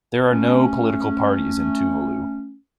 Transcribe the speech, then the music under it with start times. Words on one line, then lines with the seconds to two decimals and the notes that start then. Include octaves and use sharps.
There are no political parties in Tuvalu.
0.30 A3 C#4